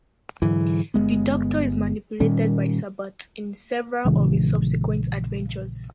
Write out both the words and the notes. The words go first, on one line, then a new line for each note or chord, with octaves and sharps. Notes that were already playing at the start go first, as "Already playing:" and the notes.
The Doctor is manipulated by Sabbath in several of his subsequent adventures.
G#2 D3 E3 F#3
G1 F2 G#3 B3
A#2 D#3 G3 C#4
A#1 C#3 E3 G#3